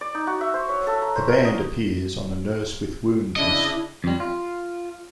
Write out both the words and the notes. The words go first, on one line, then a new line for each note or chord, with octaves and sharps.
The band appears on the Nurse with Wound list.
D5
D#4
F#4
E5
C5
C#5
A4
A#5
C5
A#4
D#5
C#3 D4 E4 D#5
F2 G3
F4